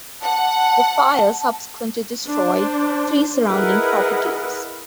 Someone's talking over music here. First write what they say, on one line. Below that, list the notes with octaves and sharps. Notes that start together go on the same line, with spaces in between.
The fire subsequently destroyed three surrounding properties.
F#5 A5
D4 C5
E4 G#4 A#4 B4 D#5 F#5